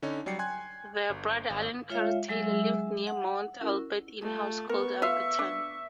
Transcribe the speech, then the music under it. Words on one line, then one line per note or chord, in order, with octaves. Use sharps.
Their brother Allen Kerr Taylor lived near Mount Albert in a house called Alberton.
D3 C#4 D#4 C#5
F#3 G3 D5 G5 C7 C#7
G5 G#5 C6 F#6 G#6
G1
G#1 F5
G#3 F4 C#5 E5 F5
F#3 G#3 G#4 E5 E6
F#5
C#4 E4 F#4 A#4
A3 F4
B3 A#4 C#6
F4 E5 F5 C#6
D4